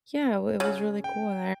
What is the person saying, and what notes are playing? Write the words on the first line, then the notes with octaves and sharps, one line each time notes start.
Yeah, it wa it was really cool, and
C#3
G5